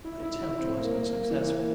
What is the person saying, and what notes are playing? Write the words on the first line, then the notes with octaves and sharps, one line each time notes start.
My attempt was unsuccessful.
E4
E4
E4
C4
A#3
A#3
A#3
E3
A#3